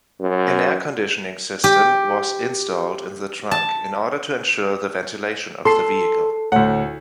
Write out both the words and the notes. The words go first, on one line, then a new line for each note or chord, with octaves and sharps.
An air conditioning system was installed in the trunk, in order to ensure the ventilation of the vehicle.
F#2
G4
A5
A4 C6 C7
D2 A2 F#5